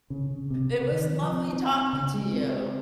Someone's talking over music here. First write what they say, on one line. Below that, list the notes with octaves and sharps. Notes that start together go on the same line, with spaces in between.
It was lovely talking to you.
C#3
C#3
C3
C3
D#3
F3
C4
C4
C4
C#3
G#3
C4
C4